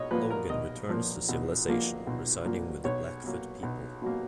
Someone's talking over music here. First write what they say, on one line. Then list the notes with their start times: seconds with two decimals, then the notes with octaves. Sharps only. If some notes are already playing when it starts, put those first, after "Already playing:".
Logan returns to civilization, residing with the Blackfoot people.
Already playing: B1 C#5 D#5
0.11 A#2 F3 A#3 B4
0.30 A#4
0.50 B1 D#5
0.89 A#2 F3 A#3
1.29 B1
1.68 A#2 F3 A#3
2.07 B1
2.45 A#2 F3 A#3
2.84 B1 C#5
3.24 B2 F#3 A#3
3.63 B1
4.02 B2 F#3 A#3